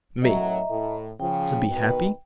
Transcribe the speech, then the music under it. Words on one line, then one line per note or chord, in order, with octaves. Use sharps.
ME: To be happy?
F#2 A2 F#3 D#5 E5 A#5
A2
C#3 F3 G5
B2 D#3 B4